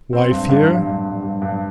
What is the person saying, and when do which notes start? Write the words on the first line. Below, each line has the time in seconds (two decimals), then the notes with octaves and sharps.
"Wife here?"
0.13 C4
0.31 G2
0.49 G2
0.68 G2
0.87 G2
1.05 G2
1.23 G2
1.42 G2